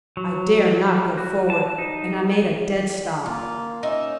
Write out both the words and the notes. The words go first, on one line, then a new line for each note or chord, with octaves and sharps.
I dare not go forward, and I made a dead stop.
F#3
F#4
A5
D#4
A#3 F4
C#4 D#4 E5